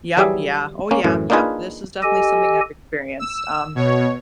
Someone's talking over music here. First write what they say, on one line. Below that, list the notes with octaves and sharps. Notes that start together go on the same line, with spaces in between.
Yep, yeah, oh, yeah, yep, this is definitely something I've experienced. Um,
E3 F#3 G3 G#4 E5
A#3 C#4
F#2 A2 E3
A#3 D4 D#4 F4 G#4 B4
G4 A4 D#5 G#5
E6
B2 C#5